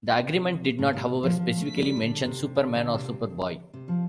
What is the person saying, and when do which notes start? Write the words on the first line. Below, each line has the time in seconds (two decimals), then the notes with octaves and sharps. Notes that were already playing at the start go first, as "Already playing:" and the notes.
The agreement did not, however, specifically mention Superman or Superboy.
0.19 C3
0.79 A2
0.88 D3
0.93 C3
1.23 F3
1.38 F3
1.57 A3
1.77 G3
1.97 D3
2.25 C3
2.55 D3
2.75 D3
2.94 C3
3.74 C3
3.88 F3